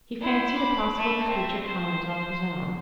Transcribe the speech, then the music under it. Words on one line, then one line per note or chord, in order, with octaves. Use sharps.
He fancied a possible future comment of his own.
E4 C5
B5 D6
A3 E5
C4 E5
C5